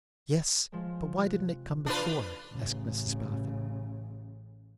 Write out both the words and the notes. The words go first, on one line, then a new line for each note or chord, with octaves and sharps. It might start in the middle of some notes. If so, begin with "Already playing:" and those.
'Yes; but why didn't it come before?' asked Mrs Boffin.
F3 G#3
C3 F#6
D4 F4 B4
A1 C#3